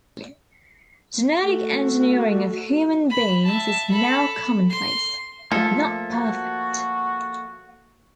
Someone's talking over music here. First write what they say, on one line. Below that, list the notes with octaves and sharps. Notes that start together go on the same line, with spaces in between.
Genetic engineering of human beings is now commonplace, but not perfect.
A3 F#4
B5
E5 A5
A4 B5
C6
F3 A3 A#3 A4 E5
F#4